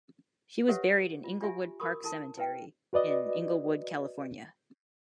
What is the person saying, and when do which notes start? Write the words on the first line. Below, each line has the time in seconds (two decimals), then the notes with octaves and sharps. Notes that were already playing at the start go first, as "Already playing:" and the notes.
She was buried in Inglewood Park Cemetery in Inglewood, California.
0.68 G4 A4 B4 C#5 E5 F#5
1.24 F4
1.41 D4 F4 G4 E5 G#5
1.80 F#4 A#4 B5 C#6 D#6
2.04 E4 A4 A5
2.37 E4 B4 E5 G5
2.93 F#4 B4 D5 D#5